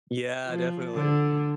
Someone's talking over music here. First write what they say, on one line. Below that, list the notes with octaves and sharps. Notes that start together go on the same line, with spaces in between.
Yeah, definitely.
F3
D3